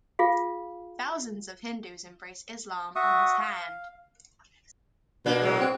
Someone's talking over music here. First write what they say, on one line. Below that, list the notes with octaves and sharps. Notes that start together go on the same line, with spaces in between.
Thousands of Hindus embrace Islam on his hand.
F4 G#4 F5
F#4 E5 C#6 D#6
F5
B2 A#3 D4 B4
A2 F#3 G#3
C4